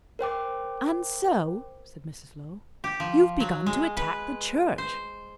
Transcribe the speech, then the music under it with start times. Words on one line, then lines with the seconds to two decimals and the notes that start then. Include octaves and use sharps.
"And so," said Mrs. Low, "you've begun to attack the Church?"
0.19 A#4 C5 G5 D6
2.84 G4
3.00 F3
3.40 F#3
3.66 G#3
3.97 B4
4.78 C5